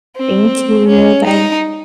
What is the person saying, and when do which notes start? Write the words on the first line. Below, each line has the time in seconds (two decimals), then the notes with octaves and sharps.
Thank you. Bye.
0.17 C4
0.88 C#4
1.23 D#4